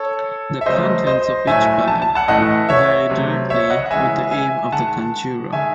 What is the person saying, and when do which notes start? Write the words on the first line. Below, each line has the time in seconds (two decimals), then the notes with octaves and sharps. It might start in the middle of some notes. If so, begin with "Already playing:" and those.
The contents of each bag vary directly with the aim of the conjurer.
Already playing: A4 C#5
0.61 E5
0.66 C#3 F#3 A3 C5 D#5
1.07 C5 D#5
1.47 A2 F#3 A3 E5 G#5
1.88 A5
2.02 A5
2.15 F#5 A5
2.28 A2 E3 A3 D#5 F#5
2.69 C#5 E5
3.10 C3 F#3 A3
3.50 C#5 E5
3.70 D#5 F#5
3.86 F#5
3.91 C#3 E3 G#3 E5 G#5
4.31 E5 G#5
4.72 D#3 G#3 F#5 A5
5.53 D#3 G#3 E5 G#5